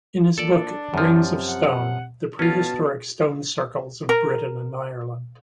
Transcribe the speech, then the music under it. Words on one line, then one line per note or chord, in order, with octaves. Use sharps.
In his book Rings of Stone: The Prehistoric Stone Circles of Britain and Ireland.
A#2 D4 A4 D5
F#2 C3 F3
F#5
B2 C#4 F4 A5
A#4